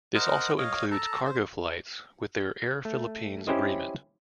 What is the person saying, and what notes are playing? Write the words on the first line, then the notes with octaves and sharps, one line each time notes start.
This also includes "Cargo flights" with their Air Philippines Agreement.
A#4 C5 D#5 F#5
C#5 D#5 F5
A4 A5 A#5
C5
A3
C#4 E4 G4 C5 D#5